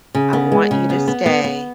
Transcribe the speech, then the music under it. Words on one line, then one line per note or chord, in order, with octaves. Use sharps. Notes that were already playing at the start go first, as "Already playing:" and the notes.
I want you to stay.
C#3
B3
G#3
C#3
B3
B3
B3
B3